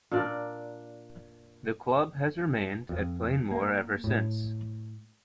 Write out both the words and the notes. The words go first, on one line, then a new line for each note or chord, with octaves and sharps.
The club has remained at Plainmoor ever since.
A#2 D4 A#4 D5
F2
A#3
A2